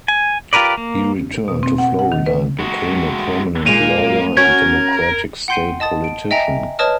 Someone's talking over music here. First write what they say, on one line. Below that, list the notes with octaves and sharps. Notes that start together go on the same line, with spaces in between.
He returned to Florida and became a prominent lawyer and Democratic state politician.
G#5
F4 G4 A#4 B4 D5
A#3
B2
C4
F#5
F#5
D#3
B4
G#3 F#4
A#2 G#3 A#3 D#7 F7
C#4 F#4 A#4 G#6
F#5 G5 C6 G6 C7 D#7
D#5 A5 D#6 A6
D7
D#5 E5 G5 G#5 A#5 A#6
B4 C#5 D#5 A5 D#6 F6